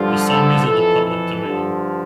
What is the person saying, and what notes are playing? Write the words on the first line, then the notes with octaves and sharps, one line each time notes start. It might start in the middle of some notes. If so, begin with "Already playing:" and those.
The song is in the public domain.
Already playing: G2 D3 F3 F4
A4
F2 E3 A4
A4
G2 D3 F3